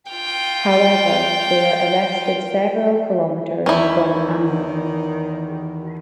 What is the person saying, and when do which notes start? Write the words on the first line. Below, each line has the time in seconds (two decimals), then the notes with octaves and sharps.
However, they were arrested several kilometers from Amul.
0.11 F4 G5
3.66 E2 D#3 C#4 E4